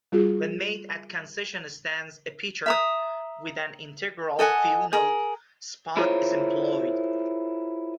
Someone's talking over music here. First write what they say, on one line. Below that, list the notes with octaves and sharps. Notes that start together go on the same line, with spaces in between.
When made at concession stands, a pitcher with an integral funnel spout is employed.
G3 F4 F#4 G#4
E5 A#5 D#6
A4 D#5 F#5 G#5
G#4 A#4
E4 F4 G#4 A#4 C5 C#5